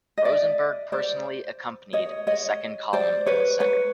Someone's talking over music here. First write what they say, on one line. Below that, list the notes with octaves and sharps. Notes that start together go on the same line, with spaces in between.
Rosenberg personally accompanied the Second Column in the center.
D#5
D5 E5
C5 D5
C#5 D#5
C#5 D#5
C5 D5
B4 C#5
B4 C#5